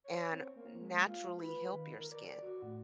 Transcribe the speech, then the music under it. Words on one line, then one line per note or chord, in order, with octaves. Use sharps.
and naturally help your skin.
C#5
C4
A#3
G#3
F4
B4
D#3
A#4
D5
F#4
A2